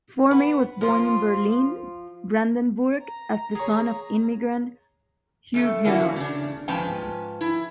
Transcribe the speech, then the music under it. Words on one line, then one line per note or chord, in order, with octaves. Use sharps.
Formey was born in Berlin, Brandenburg, as the son of immigrant Huguenots.
B3
F3 F4
A#5
G#4 C#5
F#2 A3
A#3 C#4 D4 E4 F#4
E3
C#3 D4
G#2 F3 C#4 B4 G5 A5
E4